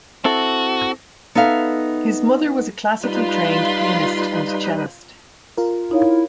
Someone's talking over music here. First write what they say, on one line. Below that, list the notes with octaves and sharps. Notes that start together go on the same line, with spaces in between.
His mother was a classically trained pianist and cellist.
C4 E4 F#4 A4
B3 D#4 A4 E5 F5
G3 D#4 F4 B4 B5 C6
F4 A#4
D#4 E4 C#5 F5